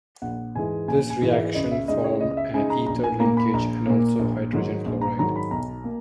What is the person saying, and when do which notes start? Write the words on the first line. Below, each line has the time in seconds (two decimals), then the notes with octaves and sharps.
This reaction form an ether linkage and also hydrogen chloride.
0.22 A#1 F#5
0.55 G#2 E3 G#3 G#5
0.88 A#1 G#5
1.10 G#5
1.22 G#2 E3 G#3
1.32 E5
1.55 C#2 D#5
1.71 E5
1.88 C#3 G#3 D#4 D#5
2.04 C#5
2.21 C#2 D#5
2.37 E5
2.53 C#3 G#3 D#4 G#5
2.70 A#5
2.86 A#1 A#5
3.04 G#5
3.20 A#2 A#3 A#5
3.37 B5
3.54 A#1 A#5
3.86 A#2 A#3
4.19 A#1
4.53 G#2 D#3 F#3
4.86 A#1
5.01 A#5
5.18 G#2 D#3 F#3 A#5
5.36 B5
5.51 B1 A#5
5.84 A#3